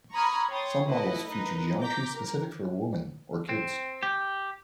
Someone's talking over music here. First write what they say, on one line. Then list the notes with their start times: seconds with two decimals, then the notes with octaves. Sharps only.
Some models feature geometry specific for women or kids.
0.14 A#5 B5 C#6 D#6 F6 G#6
0.50 C#5 G5 C6 D#6 A6
0.85 A3 E4 A4 B4 D#5
1.28 D#4 A#4 B4 D#5
1.80 A#5 D6 G6 A#6 B6
2.13 A#4
3.49 C4
4.03 G4